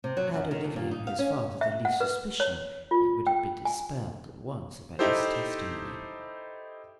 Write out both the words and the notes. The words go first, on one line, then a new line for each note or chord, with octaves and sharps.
Had Olivier and his father the least suspicion, it would have been dispelled at once by this testimony.
C3
F#3
F#2
D#3
E2
A#2
D#4
F5
C#4
E5
F#5
B4
C#5
F4
G5
G#5
D#4 E4 G4 A4 C5